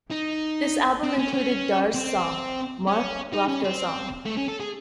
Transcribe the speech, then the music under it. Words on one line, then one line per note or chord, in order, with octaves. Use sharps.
This album included Dar's song: Mark Rothko Song.
D#4
C4
C#4
C#4
C4
C#4
D#4
C#4
C4
A3
C#4
A4
G#4